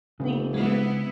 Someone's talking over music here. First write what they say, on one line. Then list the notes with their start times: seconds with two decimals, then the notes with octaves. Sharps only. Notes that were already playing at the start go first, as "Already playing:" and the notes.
Thank you.
0.20 F1 C#3 G3 C4
0.54 G#3 B3 E4